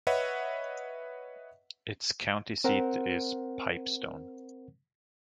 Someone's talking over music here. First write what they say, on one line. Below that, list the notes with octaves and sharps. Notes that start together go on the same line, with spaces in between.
Its county seat is Pipestone.
B4 C#5 D#5 E5 F#5
C4 A#4 C5 F#5